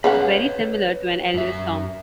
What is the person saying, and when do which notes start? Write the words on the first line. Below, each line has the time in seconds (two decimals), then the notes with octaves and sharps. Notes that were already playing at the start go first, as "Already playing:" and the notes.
It's very similar to an Elvis song.
0.04 C#3 B4 C#5 F5 F#5
1.34 F#2 E5